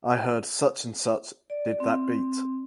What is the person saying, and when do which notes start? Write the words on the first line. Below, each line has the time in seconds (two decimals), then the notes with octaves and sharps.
I heard such and such did that beat.
1.50 D5
1.80 C4